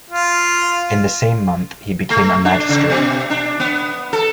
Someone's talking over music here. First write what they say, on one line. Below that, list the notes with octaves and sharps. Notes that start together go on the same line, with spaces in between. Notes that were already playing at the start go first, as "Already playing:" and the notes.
In the same month he became a magistrate.
F4
A3
D4
C#3
B2
D4
B3
A4